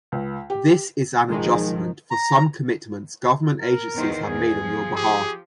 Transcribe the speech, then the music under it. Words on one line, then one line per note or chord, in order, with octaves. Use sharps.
This is an adjustment for some commitments government agencies have made on your behalf.
C#2
G4
B1 D#3 F3 G#3
A#5
A#4
E2 D#3 C5
E2 G#4
F3
G4 G#4